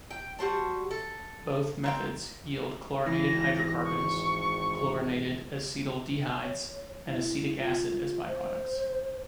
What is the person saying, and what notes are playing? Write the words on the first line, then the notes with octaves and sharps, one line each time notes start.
Both methods yield chlorinated hydrocarbons, chlorinated acetaldehydes, and acetic acid as byproducts.
G5
G3 F#4 C5 A5
A4
A#3 C4 G5
G#1 E3 A#6
C#6
C#5
E4
F4
C5